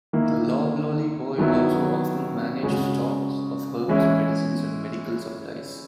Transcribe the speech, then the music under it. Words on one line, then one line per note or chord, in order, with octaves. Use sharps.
The loblolly boy also often managed stocks of herbs, medicines and medical supplies.
D#3 A#3 E4
D#3 F#3 B3 E4
C#3 G#3 C#4 F#4
E3 G#3 C#4 E4